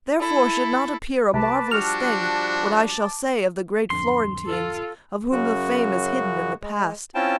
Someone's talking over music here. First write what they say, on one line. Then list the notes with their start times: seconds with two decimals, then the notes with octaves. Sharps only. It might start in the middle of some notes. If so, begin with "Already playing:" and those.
Therefore should not appear a marvellous thing What I shall say of the great Florentines Of whom the fame is hidden in the Past.
0.20 E4 A4
1.34 C2 B4 A5 D6
1.71 F3 G3 D4 F#4 F6
3.90 D1 F2 D3 C6
4.46 F4 A4
5.32 F#2 C#3 F#4
6.63 G#3
7.15 C4 C#4 E4 F4 G5 A5